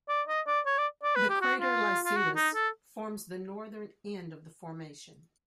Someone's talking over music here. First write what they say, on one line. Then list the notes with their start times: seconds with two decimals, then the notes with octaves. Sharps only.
The crater Licetus forms the northern end of the formation.
0.09 D5
0.28 D#5
0.47 D5
0.66 C#5
0.78 D5
1.03 D5
1.16 B4
1.29 G4
1.41 F#4
1.60 F4
2.05 F4
2.17 F#4
2.36 D#4
2.55 A4